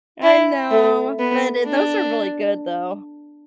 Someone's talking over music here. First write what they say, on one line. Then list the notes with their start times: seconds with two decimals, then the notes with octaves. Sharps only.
I know, but it those are really good, though.
0.23 E4
0.71 A3
1.19 B3
1.67 D4